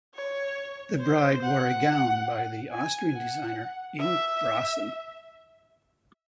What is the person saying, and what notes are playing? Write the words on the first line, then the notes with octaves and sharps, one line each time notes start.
The bride wore a gown by the Austrian designer Inge Sprawson.
C#5
C5
F#5
G#5
F#5
E5